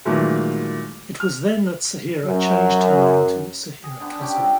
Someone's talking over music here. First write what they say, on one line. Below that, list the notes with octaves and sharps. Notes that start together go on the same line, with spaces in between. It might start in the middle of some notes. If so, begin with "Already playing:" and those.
It was then that Sahira changed her name to Sahira Kazmi.
A#2 D#3 E3 F#3 G#3 A3
F6
F#2
G#4
D3 B3 B4
C#4 G4
C4 F4 A4